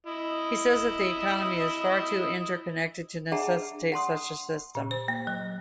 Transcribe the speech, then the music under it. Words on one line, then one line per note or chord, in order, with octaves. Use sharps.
He says that the economy is far too interconnected to necessitate such a system.
E4 D#5
D4 G#4 E5 F#5 A5 A#5
F#5 A5 C6 D#6
A#2
C5
A#3
F#3